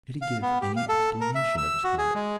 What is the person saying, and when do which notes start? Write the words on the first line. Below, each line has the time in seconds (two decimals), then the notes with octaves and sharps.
"Did he give any explanation of his conduct?"
0.22 F5
0.42 B3
0.61 G4
0.76 F5
0.89 A4
1.21 A#4
1.35 E5
1.58 E6
1.84 F#4
1.98 G#4
2.15 G#3